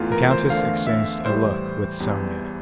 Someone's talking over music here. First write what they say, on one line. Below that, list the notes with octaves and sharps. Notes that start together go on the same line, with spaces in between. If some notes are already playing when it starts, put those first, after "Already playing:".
The countess exchanged a look with Sonya.
Already playing: E2 E3 A3 F4
A#4
C5
E2 D3 A3 F5
E5
A2 E3 G3 C5
E2 E3 G3